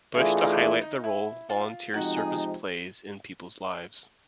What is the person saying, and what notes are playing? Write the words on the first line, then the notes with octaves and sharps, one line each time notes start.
Bush to highlight the role volunteer service plays in people's lives.
E3 A3 D4 E4 F4 G#4
D#4
E4
D#4
E4
F4
C3 F3 G#3 C4 D#4 F#4
G#4